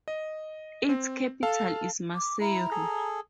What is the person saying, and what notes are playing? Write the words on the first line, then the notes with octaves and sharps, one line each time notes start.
Its capital is Maseru.
D#5
C4
A4 F5 A5
D6
E4 A#5
G#4 A4